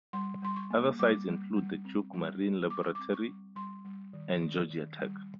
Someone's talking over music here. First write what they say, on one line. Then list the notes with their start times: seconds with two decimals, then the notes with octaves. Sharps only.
Other sites include the Duke Marine Laboratory and Georgia Tech.
0.13 G3 C6
0.42 G3 C6
0.56 C#6
0.70 A#3
0.99 G3 D6
1.28 G3
1.56 G3
1.85 C4
2.13 G3
2.42 G3
2.70 G3 D6
2.83 C#6
2.95 C4 D6
3.13 C#6
3.27 G3
3.56 G3 C6
3.85 G3
4.13 D#3
4.42 D#3
4.70 D#3
4.99 G3